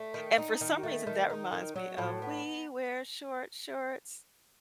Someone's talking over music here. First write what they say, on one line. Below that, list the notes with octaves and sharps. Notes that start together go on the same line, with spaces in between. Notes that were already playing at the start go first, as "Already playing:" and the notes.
And for some reason, that reminds me of: We wear short shorts.
Already playing: A3
D#3
D#4
D#3
A3
D#3
D#4
D#3
F#3
A2
B3